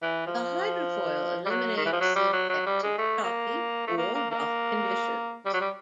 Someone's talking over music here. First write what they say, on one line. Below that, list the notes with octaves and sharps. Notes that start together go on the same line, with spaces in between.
The hydrofoil eliminates the effects of choppy or rough conditions.
E3
F3
G3
F#3
D#3
E3
F3
F#3
G3
F#3
F#3
G3
G#3
A3
A#3
A3
A#3
A#3
A#3
G3
F#3
G3